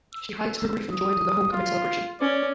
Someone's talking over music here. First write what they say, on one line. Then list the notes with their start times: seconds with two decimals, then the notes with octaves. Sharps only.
She hides her grief and joins in the homecoming celebration.
0.15 E6
0.91 D#6
1.52 F4
2.21 C#4 D5